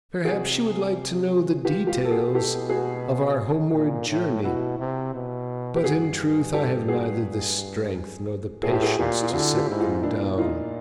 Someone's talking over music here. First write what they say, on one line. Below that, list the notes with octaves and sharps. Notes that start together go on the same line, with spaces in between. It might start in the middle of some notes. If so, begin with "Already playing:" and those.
Perhaps you would like to know the details of our homeward journey, but in truth I have neither the strength nor the patience to set them down.
C3 F#4 G#4
F4 G4
F4 G4
A4
F#4 G#4
B2 G4 A4
F#4 G#4
A#2
A2
B2 E4 F#4
C3
B2
G4
G2 F#4 G#4
G4 A4
F#4 G#4
A2 G#4
G4
F#4 G#4
A#2 F4 G4
F4
D3 E4 F#4
F4 G4
G#2 E4
D#4 F4
A#2 D4 E4
D#4 F4